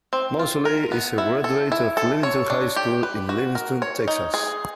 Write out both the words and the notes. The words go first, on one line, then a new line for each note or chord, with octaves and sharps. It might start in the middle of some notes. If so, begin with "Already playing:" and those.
Moseley is a graduate of Livingston High School in Livingston, Texas.
C4
F4
A#4
B3
E4
A4
E4
A4
C#5
D4
G4
B4
F#4
A#4
C#5
D#4
G#4